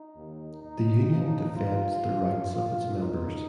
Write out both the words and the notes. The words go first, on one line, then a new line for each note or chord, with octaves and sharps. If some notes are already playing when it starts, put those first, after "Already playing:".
The union defends the rights of its members.
Already playing: D#4
D#2 D#3
D#4
D#2 C#3 F3
F4
G#2 F3
F4
C#2 B2 D#4